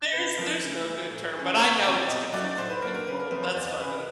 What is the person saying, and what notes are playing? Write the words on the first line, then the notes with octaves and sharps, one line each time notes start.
there's there's no good term, but I know it's confusing to people. That's funny.
C#3 B4
F3 A3 C4 A#4
C#3
E3 A3
A2
E3 G#3 C#4
C3 C#5
E3 G3 C4 D5
B2 D#5
F#3 A3 C#4 D5
A2 C5
B4
F#3 A#3 D4 A#4
A#4
C#3 B4
A#4
F3 A3 C4 B4
C5
E2 D5
D#5
C#3 E3 B4
A#4